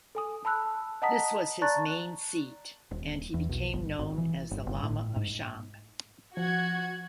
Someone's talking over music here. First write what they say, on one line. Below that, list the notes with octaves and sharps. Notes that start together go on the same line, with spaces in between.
This was his main seat, and he became known as the Lama of Shang.
A4 G#5 D#6
A5 B5 E6 F#6
D#5 F#5 A5 A#5 D#6 B6
D5 A5 A#5 C#6 F#6 A6
D#1
E2
B1
G1
G#1
E3
G1
G1
A2
G#2
F3 F#4 F#5 G#6